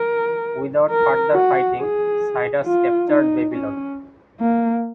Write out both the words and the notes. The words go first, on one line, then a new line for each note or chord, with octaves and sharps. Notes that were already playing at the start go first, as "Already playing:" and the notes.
Without further fighting, Cyrus captured Babylon.
Already playing: A#4
A#4
F#4
G#4
F4
D#4
C#4
A#3